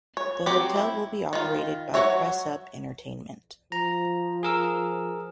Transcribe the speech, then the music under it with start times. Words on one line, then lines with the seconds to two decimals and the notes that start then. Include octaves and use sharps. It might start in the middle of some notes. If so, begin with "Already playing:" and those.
The hotel will be operated by Press Up Entertainment.
0.17 C#5
0.46 F#3 C4 G4
0.76 E4
1.33 D#3 F4
1.94 F#3 F#4 C#5 E5
3.72 F3 A#5
4.43 G#4 A#4 E6